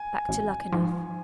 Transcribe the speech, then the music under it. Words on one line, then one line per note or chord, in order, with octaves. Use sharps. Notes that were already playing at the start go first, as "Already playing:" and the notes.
"Back to Luckenough."
Already playing: G#5
A1
G#2 F3